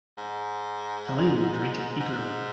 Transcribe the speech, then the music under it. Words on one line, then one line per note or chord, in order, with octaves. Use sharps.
Helene drank it eagerly.
G#2
G#2